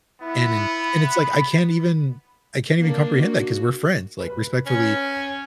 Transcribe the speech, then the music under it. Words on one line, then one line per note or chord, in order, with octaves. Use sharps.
and and and it's like, I can't even I can't even comprehend that 'cause we're friends, like, respectfully,
B3 E4
B5
A#3 D4
F#4
B4
C#4